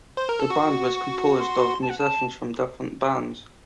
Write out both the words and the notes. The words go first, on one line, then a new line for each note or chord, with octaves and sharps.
The band was composed of musicians from different bands.
C5
A#4
A4
F#4 C#6
C6
A5
F#5
A5